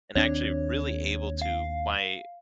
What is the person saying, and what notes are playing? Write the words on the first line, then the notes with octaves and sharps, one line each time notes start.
and actually really able to my,
D#2 C4 D4 C#5
F5